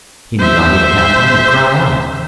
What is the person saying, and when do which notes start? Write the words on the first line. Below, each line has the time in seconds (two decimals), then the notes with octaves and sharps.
He did not even have time to cry out.
0.38 C5 E5